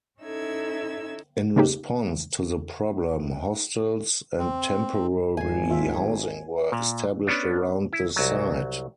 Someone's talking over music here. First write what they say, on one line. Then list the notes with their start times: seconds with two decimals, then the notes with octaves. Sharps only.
In response to the problem, hostels and temporary housing were established around the site.
0.21 C#4 D#4 E4 A4 E6 G#6
1.56 C#3 A#3 C#4 D#4 G4
4.39 C4
5.37 G#1 G#5 C6
5.70 F4 E5
6.72 A#2
7.27 B3 C#4 D4
7.93 E4
8.16 C2 F#3